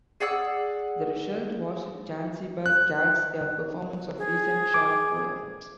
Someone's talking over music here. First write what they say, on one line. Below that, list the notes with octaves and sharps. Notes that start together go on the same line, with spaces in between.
The result was "Zanzibar Cats", a performance of recent short poems.
G#4 D5 F#5 E6
F#6
G#4
D6